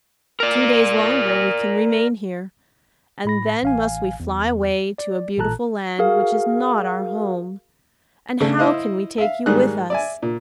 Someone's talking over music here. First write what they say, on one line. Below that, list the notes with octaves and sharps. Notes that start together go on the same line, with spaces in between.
Two days longer we can remain here, and then must we fly away to a beautiful land which is not our home; and how can we take you with us?
A#4 D5
A2 B5 A#6
A1 F5 G#5
E2
D5
A1 A#2 A4 A5 A#5 F#6
F#4 G#4 A#4 F5
C#3 A3 D4 A4
E4 C5 D#5 F5
E5 F5
G#2 D#3 G3 G#4 F#6
D5 E5 G#5
A#2